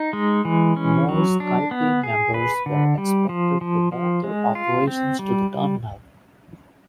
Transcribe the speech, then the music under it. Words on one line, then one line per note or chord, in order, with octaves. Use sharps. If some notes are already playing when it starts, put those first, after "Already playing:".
More SkyTeam members were expected to move their operations to the terminal.
Already playing: D#4
G#3
E3
C#4
F#3
D4
B3
G#4
B4
D3
G3
F3
F3
F3
G#3
F4
C4
G3